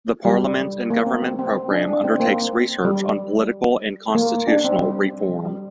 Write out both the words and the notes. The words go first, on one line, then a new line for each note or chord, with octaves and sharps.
The Parliament and Government programme undertakes research on political and constitutional reform.
G3
A#3
C4
C4
C4
C4
D4
D4
C4
C4
A#3
G3
A#3
D4
C4
G3
G3